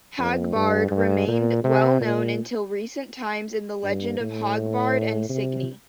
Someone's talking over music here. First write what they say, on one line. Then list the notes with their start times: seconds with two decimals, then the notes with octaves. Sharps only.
Hagbard remained well-known until recent times in the legend of Hagbard and Signy.
0.19 F2
0.55 G2
0.91 G2
1.28 A#2
1.64 C3
2.01 A#2
3.84 G2
4.20 A2
5.29 C3